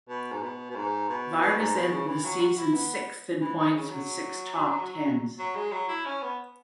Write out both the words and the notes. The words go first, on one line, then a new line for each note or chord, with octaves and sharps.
Vargas ended the season sixth in points with six top tens.
B2
G#2
B2
B2
G#2
B2
B2
G#2
B2
C#3
E3
F#3
F#4
E4
B3
E3
E3
C#3
F#3
F#3
G#3
F#3
E4
C#4
B3